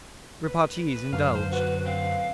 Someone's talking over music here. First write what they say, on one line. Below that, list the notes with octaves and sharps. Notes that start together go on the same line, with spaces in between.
Repartees indulged.
B4
F#2 D3 F#3 F5
C5
F#4 B4
C4 F5